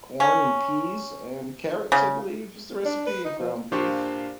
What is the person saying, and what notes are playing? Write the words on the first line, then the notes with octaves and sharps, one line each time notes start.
corn and peas and carrots, I believe, is the recipe and ground beef.
C#4
C#3
D4
B4
D#4
F3
A#2 D4 F4 G4 C5 C#6